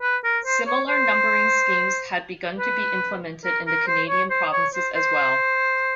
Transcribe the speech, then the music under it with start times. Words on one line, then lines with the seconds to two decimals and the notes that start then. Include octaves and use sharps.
Similar numbering schemes had begun to be implemented in the Canadian provinces as well.
0.02 B4
0.24 A#4
0.45 C5
0.66 C#5
0.88 C5
2.59 B4
3.44 A#4
3.67 A#4
3.87 C5
4.09 C#5
4.30 C5
4.52 C#5
4.74 C5
4.96 C5